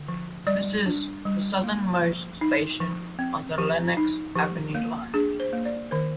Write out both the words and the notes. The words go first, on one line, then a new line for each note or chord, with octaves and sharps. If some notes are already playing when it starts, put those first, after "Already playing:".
This is the southernmost station on the Lenox Avenue Line.
Already playing: D3
F3
G3 D5
D4
G3
A#3
F3
D#4
F3
C4
F3 G4
D#4
F3 G4
A#3
D4 G#4
C5
A#3
D5
D#3 C5